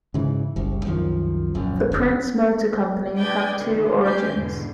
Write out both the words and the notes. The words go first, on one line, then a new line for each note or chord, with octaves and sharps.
The Prince Motor Company had two origins.
G#2 C#3 E3
F#1 C2
C2 F#2 D#3 F3
D#1 A#1 F#2
F#1 F2
D4 B4 D5 G5 D#6 G#6
D2 C3 D#3
A3 C4 G4 G#5 G6
E2 G#2 B2 D3